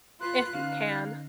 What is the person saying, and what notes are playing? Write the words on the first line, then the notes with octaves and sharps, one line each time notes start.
If you can.
F4 B4 C6 F#6
D3 C#4 D#4 F5